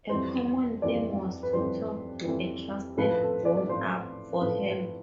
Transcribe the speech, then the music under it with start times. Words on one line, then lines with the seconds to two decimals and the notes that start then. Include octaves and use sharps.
A common theme was to talk to a trusted grown up for help.
0.09 F2 E3 G3 C5
0.82 F2 E3 G3 D5
1.43 B4
1.53 F2 E3 G3 C5
2.25 F2 E3 G3
2.97 A2 F3 B4
3.11 B4
3.22 A4
3.45 D5
3.57 D5
3.69 A2 F3 C5
4.41 A2 F3 B4